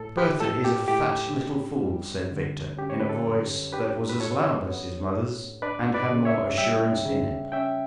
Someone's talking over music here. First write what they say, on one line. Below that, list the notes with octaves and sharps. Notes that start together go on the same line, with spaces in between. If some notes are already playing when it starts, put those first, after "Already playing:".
"Bertha is a fat little fool," said Victor, in a voice that was as loud as his mother's and had more assurance in it.
Already playing: A2 A4
G4 B4
A2 A4
G4
A2 G4
D4
G3
D3
C#4 G4
C#5
B4
A4
F#2
D4 G4 B4
B4
A2 A4 C#5
B3
A2
D4 B4 D5
B4 D5
C#3
C#5 E5
G3 E5 G5
C#3
C#4 E5 G5